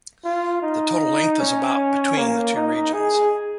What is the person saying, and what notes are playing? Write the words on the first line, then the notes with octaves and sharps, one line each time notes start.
The total length is about between the two regions.
F4
D#4
C#4
A#3
D#4
G#4